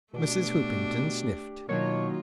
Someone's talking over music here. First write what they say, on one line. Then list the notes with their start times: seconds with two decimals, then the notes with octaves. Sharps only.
Mrs. Hoopington sniffed.
0.13 B2 A3 D4 G4
1.69 B2 D#3 F#3 A#3 F4 C#5